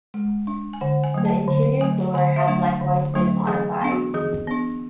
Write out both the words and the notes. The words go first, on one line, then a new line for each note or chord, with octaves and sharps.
The interior floor has likewise been modified.
G#3
D4
G#5
D3 F#5
G#5
F#3 A3
A5
D3
F#3 A3 G#5
D3 G#5
E5
F#3 A3 D4 F#5
D3
F#3 A3 D4
E3 G#4
B3 D4
F#4
E3 G#4
B3 D4